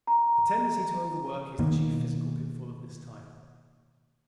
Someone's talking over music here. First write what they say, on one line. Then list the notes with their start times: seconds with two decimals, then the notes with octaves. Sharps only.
A tendency to overwork is the chief physical pitfall of this type.
0.07 A#5
1.59 B2 D#3 A#3